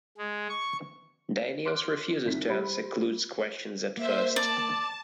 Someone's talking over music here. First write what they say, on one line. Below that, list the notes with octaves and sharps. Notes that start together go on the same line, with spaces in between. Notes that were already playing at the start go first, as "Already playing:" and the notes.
Daniels refuses to answer Klute's questions at first.
G#3
C#6
C6 D6 F6 F#6 D7
C2 C3 D#3 B6
G3 C5 B5
A#3 C5 E5
D5 A5